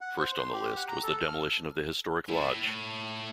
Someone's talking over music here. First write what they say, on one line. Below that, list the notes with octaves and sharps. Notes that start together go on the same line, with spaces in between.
First on the list was the demolition of the historic lodge.
F#5
C5
C6
G4
F#5
A#5
A4
F6
A3 E4